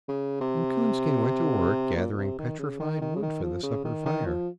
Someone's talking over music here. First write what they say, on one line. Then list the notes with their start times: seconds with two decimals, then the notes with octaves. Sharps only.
And Coonskin went to work gathering petrified wood for the supper fire.
0.08 C#3
0.40 C3
1.96 A#2
2.12 A#2
2.18 C3
2.39 D#3
2.59 C#3
2.80 D#3
3.01 D#3
3.16 C#3
3.22 D#3
3.43 F3
3.63 C#3
3.84 D#3
4.06 D#3
4.26 F3